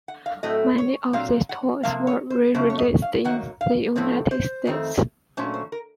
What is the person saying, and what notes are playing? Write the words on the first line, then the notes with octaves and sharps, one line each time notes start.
Many of these toys were re-released in the United States.
F#5
F5
A2 F#3 A3 C4 D#5
C#5
A#2 F#3 C4 F5
F#5
C3 F3 A#3 F5
C#5
C5
F#2 C#3 A3 C#4 C5
C#5
D#5
F5
F#2 D#3 F#3 A#3 F#5
F5
A2 F3 A3 C4 C#5
C5
F2 D#3 A3 C4
A#2 F#3 A3 C#4 C5
C5
A#4